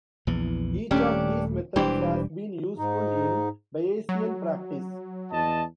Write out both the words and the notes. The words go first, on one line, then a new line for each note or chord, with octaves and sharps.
Each of these methods has been useful in Bayesian practice.
A#1 E2 E3
D#1 A3 C#4 D4 G4
E1 E3 G3 D4 G4 C5
G#2 D#4
F#3
E2 D#5 A5